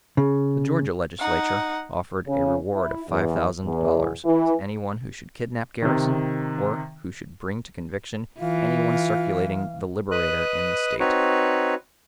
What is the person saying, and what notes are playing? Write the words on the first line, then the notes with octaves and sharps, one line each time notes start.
The Georgia Legislature offered a reward of five thousand dollars to any one who should kidnap Garrison, or who should bring to conviction any one circulating the "Liberator" in the State.
C#3
D#4 F#5
C#3
E4
E2
E2
E3
C3 D#3
E3 F4 F5
B4 D#5 F#6
C4 D#4 F#4 B4 C#5